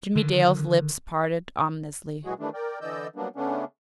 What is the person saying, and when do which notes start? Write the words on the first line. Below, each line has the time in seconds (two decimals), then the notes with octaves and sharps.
Jimmie Dale's lips parted ominously.
0.16 D3 D#3
2.25 A#2 E3 F#3 G#3 F#4 G#4
2.39 D#3 E3 G3 A3 D4
2.54 A#4 D5 G5
2.81 D3 E3 D5 D#5 E6 G6
3.16 F#3 G3 A#3 B3 D4
3.36 C#3 A3 B3 C#4 D4